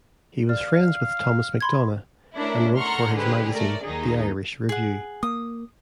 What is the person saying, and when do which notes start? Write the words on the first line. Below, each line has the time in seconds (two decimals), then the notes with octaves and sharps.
He was friends with Thomas MacDonagh, and wrote for his magazine "The Irish Review".
0.49 D5 F5
1.61 B5 C6 G#6
2.36 A3 C#4 D4 E4 A#4
2.78 A4 F#5 A#5 C6 C#6 F6
3.16 D3 G#3 G4 G#4 B4 C5
3.53 A3 A#4 D5
3.83 D#2 D#3 D#4 G#4
4.69 G#4 F#5
5.23 A#3 D#6